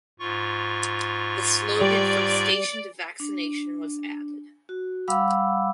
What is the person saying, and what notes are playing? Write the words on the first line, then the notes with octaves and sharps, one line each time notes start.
The slogan "from station to vaccination" was added.
G#2 F4 C#6
G3 D5
D4
F#4
G3 F5 F#5 B5 D6 E6